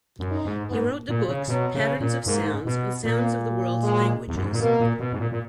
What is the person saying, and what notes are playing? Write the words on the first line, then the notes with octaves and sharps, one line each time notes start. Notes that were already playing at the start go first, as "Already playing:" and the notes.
He wrote the books "Patterns of Sounds" and "Sounds of the World's Languages".
F#2
D#4
G#2
G#2 B3
A#2
C#3
B2 F#3
C#3
A#2
G#2 A#3
B2
A#2 A#3
G#3
E2
F#2
G#2
A#2
B2 A#3
A#2
B2
G#2
A#2
A#2